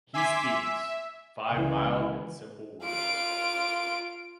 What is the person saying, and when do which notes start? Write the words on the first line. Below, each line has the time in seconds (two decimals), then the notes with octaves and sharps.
He speaks: five mild and simple words.
0.14 E5 G#5 C6 D6 G#6 B6
0.49 E5
1.51 C#2 E3
2.84 F4 D7